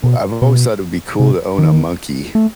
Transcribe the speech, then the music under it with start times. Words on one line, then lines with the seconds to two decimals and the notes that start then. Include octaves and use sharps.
w I've always thought it'd be cool to own a monkey.
0.04 B2
0.42 B2
1.20 C3
1.58 D#3
2.35 A3